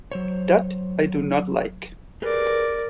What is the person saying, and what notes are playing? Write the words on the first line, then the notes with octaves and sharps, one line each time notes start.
That I do not like.
F#3 C5 C#5
G4 G#4 A#4 B4 D5